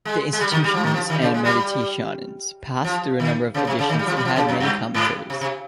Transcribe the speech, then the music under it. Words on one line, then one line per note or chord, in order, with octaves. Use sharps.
The "Institutiones" and "Meditationes" passed through a number of editions, and had many commentators.
G#3
G#3
G3
D#3
G3
F3
D#3
F3
D#3
C#3
G#3
G3
F3
D#3
C#3
C3
C#3
D#3
G3
F3
G3
F3
C#3
F2
G2
G#2
C3
C3